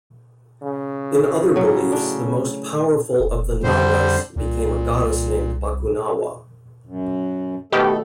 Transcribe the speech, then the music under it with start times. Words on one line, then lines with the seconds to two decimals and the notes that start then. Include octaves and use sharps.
In other beliefs the most powerful of the Nagas became a goddess named Bakunawa.
0.62 C#3
1.56 A2 F#3
1.92 D4
3.20 F1
3.63 F2 D3 G3 C5
4.36 C2 A#2
6.86 F#2
7.72 B2 D#3 A3 G4 A4